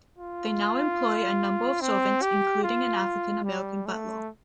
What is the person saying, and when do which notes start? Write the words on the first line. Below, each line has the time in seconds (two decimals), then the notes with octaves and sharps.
They now employ a number of servants, including an African American butler.
0.18 F4
1.81 C4
2.22 G4
2.63 F4
3.44 G3
3.86 A3